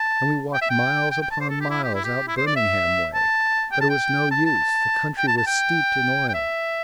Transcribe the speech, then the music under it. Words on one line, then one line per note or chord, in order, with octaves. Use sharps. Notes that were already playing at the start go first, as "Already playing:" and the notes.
And we walked miles upon miles out Birmingham way; but it was no use, the country was steeped in oil.
Already playing: A5
G5
E5
G5
G5
G5
A5
C5
A4
G4
E4
G4
E4
G4
E4
C5
D5
E5
A5
G5
A5
G5
A5
A5
G5
A5
A5
G5
G5
E5